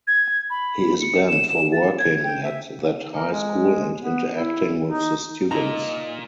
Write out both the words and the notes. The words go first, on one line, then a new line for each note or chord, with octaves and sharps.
He is banned for working at that high school and interacting with the students.
G#6
B5
C#7
E7
E7
A6
G#6
G5
E5
A#4
G#3
B3
E4
D#4
A#2 D#4 D#5 A#5